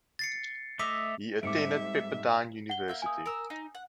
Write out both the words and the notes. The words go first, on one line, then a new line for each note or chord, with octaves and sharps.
He attended Pepperdine University.
A6 C7 C#7
A3 D#5 E5 D6 B6 F7
G#2 G3 A3 C4 E5 D6 C#7 D7
F#5 G7
A#3 E5 G6
G#5 D#6
A#4 E6
D#4
F#5